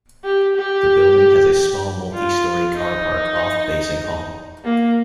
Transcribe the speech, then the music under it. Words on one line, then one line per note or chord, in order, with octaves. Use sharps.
The building has a small multi-storey car park off Basinghall.
G4
G4
F4
D#4
A#3